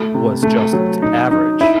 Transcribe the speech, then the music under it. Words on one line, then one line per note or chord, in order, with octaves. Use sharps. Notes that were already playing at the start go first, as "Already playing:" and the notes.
was just average,
Already playing: A3 E4
C3
A3
F#3
D#4
D#4
E4